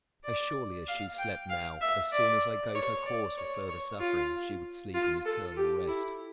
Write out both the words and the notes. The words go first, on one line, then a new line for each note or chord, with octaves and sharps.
As surely as she slept now, as soon as I gave her cause for further suffering, she would sleep in eternal rest.
D5
F5
G5
F5
E5
D5
C#5
D5
C#5
C#5
F4
F4
A4
G4
E4